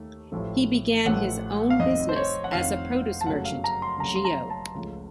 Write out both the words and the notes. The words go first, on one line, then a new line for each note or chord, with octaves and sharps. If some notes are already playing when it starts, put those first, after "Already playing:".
He began his own business as a produce merchant, Geo.
Already playing: D#2 D#3 A3
A1 A2 F3 A3
A1 A2 F3 A3 F#5
F5
F1 F2 D#3 D#5
C5
C#5
F#5
F1 F2 D#3 F5
A5
F#1 F#2 C#3 F#3 A3 F#5
F5
A#5
C6
F#1 F#2 C#3 F#3 A3 A#5
C6
A#5
A5
C#2 C#3 F3 A3